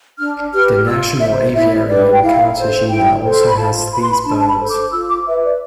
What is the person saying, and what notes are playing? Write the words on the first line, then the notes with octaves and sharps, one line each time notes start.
The National Aviary in Cartagena also has these birds.
D4 F6
G4 B4 F6
F4 E6
C5 E5
E4 E5
G4 B4 D5
G5
E4 F5
A4 C5
E4 G5
A4 C5
C6
B5
F4 A5
B4 B5
C6
B5
D4 A5
A5
B5
A4 C5
D6
F4 E6
D6
B4 E5
D5